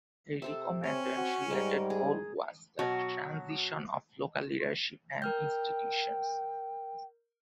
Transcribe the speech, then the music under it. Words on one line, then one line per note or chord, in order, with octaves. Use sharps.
A recommended related goal was the transition of local leadership and institutions.
C3 A4 C5 E5
C4 C#4 C#5
F#4
G#2 G3 G#3 A#4 G5
G#4
B2 F#3 F#4
A#4 G5 F6 G6